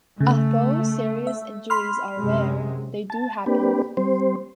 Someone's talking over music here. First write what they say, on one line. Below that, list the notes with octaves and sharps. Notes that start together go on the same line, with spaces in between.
Although serious injuries are rare, they do happen.
C#3 A3
E5
B5 C6 F6
F#2 C3 G#3
A5
A#3 C4 D4 G4 B4
G3 C4 C5